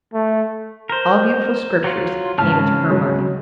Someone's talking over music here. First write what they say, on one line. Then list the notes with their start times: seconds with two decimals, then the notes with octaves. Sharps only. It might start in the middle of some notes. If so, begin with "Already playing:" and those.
All beautiful scriptures came into her mind.
0.14 A3
0.90 A#4 C5
1.84 F#3 F4
2.38 G#1 C#3 A5 F6
2.90 F#3 G#3